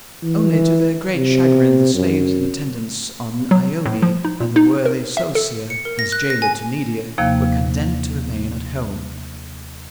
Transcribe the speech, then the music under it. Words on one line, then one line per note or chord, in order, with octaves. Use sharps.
Only, to their great chagrin, the slaves in attendance on Ione, and the worthy Sosia, as gaoler to Nydia, were condemned to remain at home.
E3
C3
F#2
F#3
A2
F3
D#4
A#2
D#4
A#4
E5
A4
C#7
A#4
A#6
F#6
A#6
G#5
D#2 C3 F3 A#3 F5